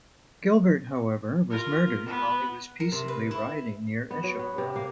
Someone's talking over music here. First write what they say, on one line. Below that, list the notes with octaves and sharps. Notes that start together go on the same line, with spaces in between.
Gilbert however was murdered while he was peaceably riding near Eschafour.
F4 A#4
B3 B4
A#4
C3
B4
E4
B3
F#3
B3
C3
A#3